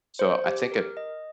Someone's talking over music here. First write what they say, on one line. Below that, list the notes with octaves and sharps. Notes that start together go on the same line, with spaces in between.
So I think a
C5
G4
A#4
D#5